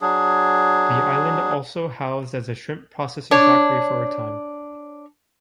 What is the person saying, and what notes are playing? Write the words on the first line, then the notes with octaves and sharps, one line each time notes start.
The island also housed as a shrimp processing factory for a time.
F#3 D4 G#4
D4 C#5